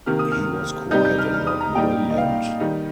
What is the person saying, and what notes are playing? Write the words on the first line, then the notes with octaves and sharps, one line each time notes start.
He was quiet and not brilliant.
C3 D#3 A#3 F6
D#6
F6
C3 G3 D#4 G6
G6
F6
F6
D#6
A#5
A#2 G3 D#4 G5
D#5
F5
D#3 G3 D#4